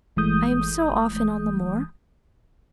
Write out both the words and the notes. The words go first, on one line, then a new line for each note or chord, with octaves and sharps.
I am so often on the moor.
G1 E3 G#3 A3 D#6 G6